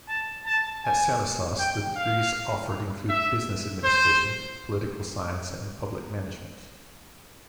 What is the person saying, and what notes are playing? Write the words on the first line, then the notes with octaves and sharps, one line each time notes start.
At Salesas, the degrees offered include business administration, political science and public management.
A5
A5
G#5
G5
F5
E5
C5